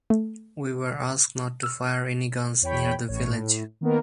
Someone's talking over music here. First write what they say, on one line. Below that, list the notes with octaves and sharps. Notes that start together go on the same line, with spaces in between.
We were asked not to fire any guns near the village.
A3
E6 F6
E2 C#5 G5 B5
A1 A2 C#5
A2
D#3 A#3 B3 A#4